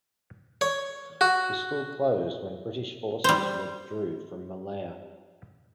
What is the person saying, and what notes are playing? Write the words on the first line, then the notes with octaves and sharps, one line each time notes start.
The school closed when British Forces withdrew from Malaya.
C#5
F#4
G3 C5